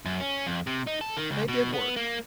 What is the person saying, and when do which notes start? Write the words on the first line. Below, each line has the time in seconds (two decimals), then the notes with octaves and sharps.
They did work.
0.05 F#2
0.20 C#4
0.47 F2
0.67 C3
0.87 D#4
1.01 A4
1.17 D#3
1.31 C#2
1.48 B2
1.74 B3
1.96 A#3